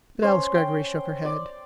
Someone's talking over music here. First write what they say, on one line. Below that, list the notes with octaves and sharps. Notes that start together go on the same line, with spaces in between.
But Alice Greggory shook her head.
C#4 C5
G5
D5